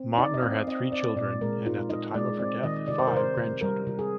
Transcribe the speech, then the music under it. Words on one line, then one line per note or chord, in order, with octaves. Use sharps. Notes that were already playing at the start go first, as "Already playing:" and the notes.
Mautner had three children and at the time of her death five grandchildren.
Already playing: C4
D#4 D5
D#5
C4 F5
C4 D#5
C4 D5
A#2 D5
G#3 A#4
D#4 F4
D#4 D#5
G#3 D5
C4 D5
D#3 D#5
C3 D5
C5
A#4
C3 C5
C3
G3 A#4
C3
G#4